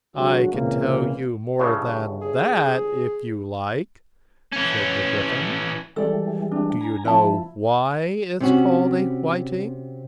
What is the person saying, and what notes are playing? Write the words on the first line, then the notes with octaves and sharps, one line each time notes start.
'I can tell you more than that, if you like,' said the Gryphon. 'Do you know why it's called a whiting?'
D3 F#3 G#3 F#4
C#2 A#2 C#3 E3 A#3 C4
G1 A2 C#3
G#4
E3 C#4
E3 G3 G#3 A4 D5
D4
G#5 A#5
F3 E4 A5
C3 C#4 F#4